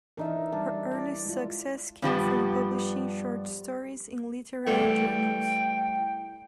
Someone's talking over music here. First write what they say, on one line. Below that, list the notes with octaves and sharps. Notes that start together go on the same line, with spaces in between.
Her early success came from publishing short stories in literary journals.
E3 D4 D#4 A#4 E5
G3 D4 A#4
E4 D5
G#3 F4
G2 F3 G3 B3
E2 G3 A3 G5